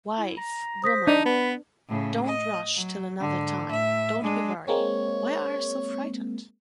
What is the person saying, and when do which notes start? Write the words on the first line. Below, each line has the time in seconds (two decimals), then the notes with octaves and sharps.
Wife/Woman, don’t rush till another time, don’t be worry, why are so frightened?
0.18 E4
0.37 A#5
0.84 C5 D#6 A#6 B6
1.07 D4 D#4
1.25 B3 B4 B5
1.88 A2 C#3
2.25 D#5
2.76 F#3
3.20 G#2 D3
3.68 A2 E5
4.21 G#3 D4
4.68 G#3 A#3 C4 C#5